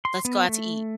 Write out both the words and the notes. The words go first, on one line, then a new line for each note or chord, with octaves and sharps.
"Let's go out to eat."
C6
B3
A3